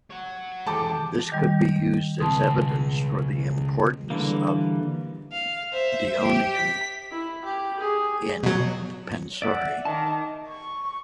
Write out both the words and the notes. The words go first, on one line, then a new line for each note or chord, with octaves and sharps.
This could be used as evidence for the importance of "deoneum" in "pansori".
C#5 F#5
E3 G#3 G4 A4 A5 D6
D#3 G3
C#2 B2 C4 A5
D3 E3 G3 A#3
F5
C5 E5
G4
B6
E4
G4
G#4
B2 F#3
D5 E5 F#5
D#3 A5 D6
C#6